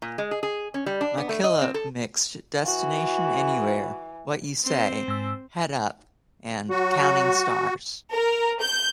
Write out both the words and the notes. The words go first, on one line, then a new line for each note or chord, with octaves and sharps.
Mackillop mixed "Destination Anywhere", "What You Say", "Head Up" and "Counting Stars".
A#2
G#3
G#4
G#4
C#4
G3
D4
B3
A3
D#5
C4
A4
E3 F#4
C4 C5
G#2 E6
F#3 F#4
A#4
G6